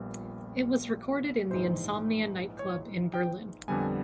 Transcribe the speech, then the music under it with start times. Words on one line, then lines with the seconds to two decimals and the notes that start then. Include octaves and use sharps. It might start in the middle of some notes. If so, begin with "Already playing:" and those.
It was recorded in the Insomnia nightclub in Berlin.
Already playing: A#1 A#2 G3 B3
1.51 A#1 G#2 E3 C5
2.59 C#5
3.14 G5
3.68 F2 D3 G3 B3 G#5